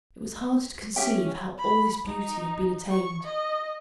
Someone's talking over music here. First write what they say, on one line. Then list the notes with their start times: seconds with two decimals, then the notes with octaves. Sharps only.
It was hard to conceive how all this beauty had been attained.
0.96 C#4 G4 E5 G5
1.58 B5
2.06 D#4
2.90 C#6
3.23 D#5